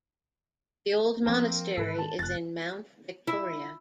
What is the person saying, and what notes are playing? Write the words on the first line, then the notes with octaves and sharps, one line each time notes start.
The old monastery is in Mount Victoria.
F3 A#3 C4 D4
G#2 D#3 A4 B4
A5
F1 F#6 A6
E4